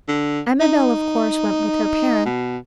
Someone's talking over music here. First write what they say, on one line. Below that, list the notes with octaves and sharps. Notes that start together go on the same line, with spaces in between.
Amabel, of course, went with her parents.
D3
D#4
B2